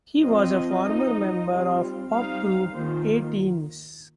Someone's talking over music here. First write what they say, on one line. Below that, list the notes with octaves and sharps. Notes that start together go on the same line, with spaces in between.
He was a former member of the pop group A-Teens.
F3 C4 F4 D#5
F3 D#4
G3 C4 F4
G3 C4 D#4 F5
D#3 A#3 F4 C5